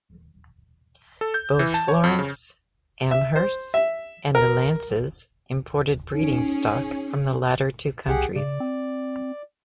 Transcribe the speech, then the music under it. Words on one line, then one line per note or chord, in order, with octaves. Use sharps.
Both Florence Amherst and the Lances imported breeding stock from the latter two countries.
A4
G6
E3
A5
C#5
F2
C#3
E5
C5
E5
A#4
C#4 D#4 G#4 D7
C2 G4 G#4 F#5
C#3 D5
C4